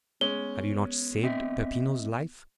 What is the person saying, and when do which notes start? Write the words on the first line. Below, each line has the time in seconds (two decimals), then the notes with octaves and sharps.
"Have you not saved Peppino's life?"
0.21 G#3 B3 C#4 G7
1.23 C4 D#5 E5